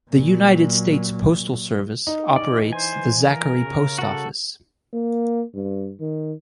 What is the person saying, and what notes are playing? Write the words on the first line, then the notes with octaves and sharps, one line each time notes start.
The United States Postal Service operates the Zachary Post Office.
A#2 F#3
D#4
E3 C#4 D5
C5 G#5
A#4
C#3
F#4 A4
A#3
G2
D#3